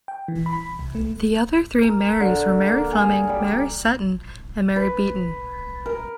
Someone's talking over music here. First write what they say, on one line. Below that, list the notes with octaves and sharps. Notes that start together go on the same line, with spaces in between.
The other three "Marys" were Mary Fleming, Mary Seton and Mary Beaton.
G5
E3
B5
C2
A3
A#4
D3
A#3
G#4
G3
B4
A#4